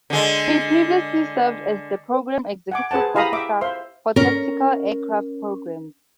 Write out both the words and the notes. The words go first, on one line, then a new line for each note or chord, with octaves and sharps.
He previously served as the Program Executive Officer for Tactical Aircraft Programs.
D3 G#3
F#5 G#5 D6
G#4 B4 C5 F#5 A5
E4 G4 F5 A#5 B5 D#6
E5 D6 D#6
C5 E5 F5 C6
C#4 A#4